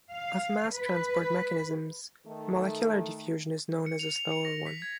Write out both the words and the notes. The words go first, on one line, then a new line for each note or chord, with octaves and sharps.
Of mass transport mechanisms, molecular diffusion is known as a slower one.
F5
B4
D#3 A3
C#7
F7
F7
C#7
A#6
B6
G#6